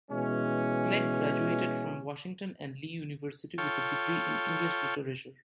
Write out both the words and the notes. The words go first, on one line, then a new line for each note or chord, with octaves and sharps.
Clegg graduated from Washington and Lee University, with a degree in English Literature.
B2 E3 G#3 C#4
F4 A4 C#5 G5